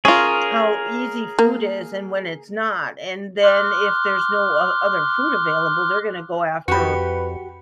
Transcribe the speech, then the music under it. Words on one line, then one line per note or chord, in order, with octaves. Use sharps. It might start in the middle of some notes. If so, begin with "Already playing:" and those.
how easy food is and when it's not, and then if there's no o other food available, they're gonna go after
C#4 F4 G#4 A#4
A#3
C6 D6 F6 F#6
F2 F#4 G4 B4 B5 C#7